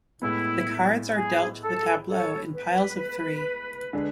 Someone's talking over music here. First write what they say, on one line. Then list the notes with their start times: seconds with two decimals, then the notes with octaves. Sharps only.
The cards are dealt to the tableau in piles of three.
0.21 A2 G#3 B3 E4
1.14 G#4
1.61 A4
2.07 A4 C#5
2.54 B4
3.93 D3 G#3 D4